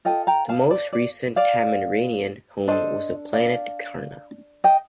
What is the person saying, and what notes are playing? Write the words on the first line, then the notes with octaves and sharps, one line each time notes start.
The most recent Tamaranean home was the planet Karna.
F4 A4 D#5 G5
G5 A#5
F5 A5
D5
D5
D5 F5
D4 A4 C5 D#5
D5 F5
D#5 G5